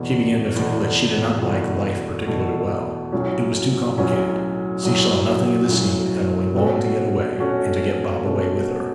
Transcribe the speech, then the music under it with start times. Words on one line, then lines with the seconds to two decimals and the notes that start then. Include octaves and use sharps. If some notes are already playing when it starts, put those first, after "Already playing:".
She began to feel that she did not like life particularly well; it was too complicated: she saw nothing of the scene, and only longed to get away, and to get Bob away with her.
Already playing: E2 B2 A3
0.56 E2 B2 A3
1.41 E2 B2 A3
2.27 E2 B2 A3
3.12 B1 A2 F#3 C#4 F#4
3.98 B1 A2 F#3 C#4 F#4
4.83 B1 A2 F#3 C#4 F#4
5.69 B1 A2 F#3 C#4 F#4
6.54 B2 A3 C#4 F#4 A4
7.39 B2 A3 C#4 F#4 A4
8.25 B2 A3 C#4 F#4 A4